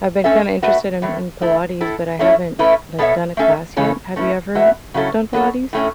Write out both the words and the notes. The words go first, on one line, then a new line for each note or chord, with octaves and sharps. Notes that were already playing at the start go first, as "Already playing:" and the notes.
I've been kinda interested in in Pilates, but I haven't, like, done a class yet, have you ever done Pilates?
A3 C#4 A4 E5
A3 F#4 B4 E5
A2 E3 A3
A3 E4 A4
A2 A3 E4 A4
A3 C#4 E4 C#5
A3 C#4 E4 B4
B2 B3 A4 C#5 E5
A3 C#4 A4 E5
C#3 E3 C#4 A4 C#5
A3 C#4 E4 B4
E3 A3 F#4 B4 E5
C#3 F#3 C#4 E4 A4
F#3 B3 A4 C#5
A2 A3 C#4